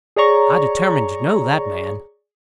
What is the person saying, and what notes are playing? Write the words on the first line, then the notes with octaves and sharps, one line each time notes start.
I determined to know that man.
G#4 C#5 D5 A#5 C#6